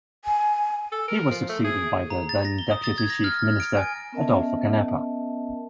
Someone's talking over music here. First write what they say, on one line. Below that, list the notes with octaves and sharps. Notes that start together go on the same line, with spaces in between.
He was succeeded by the then Deputy Chief Minister, Adolfo Canepa.
G#5
A4
A#4
F3
A3
G#4
A#5
A6
A#6
G7
D#6
A6
G#6
A#6
F6
A6
D7
G#5
B3 C#4 A#4 D#5 E5 A5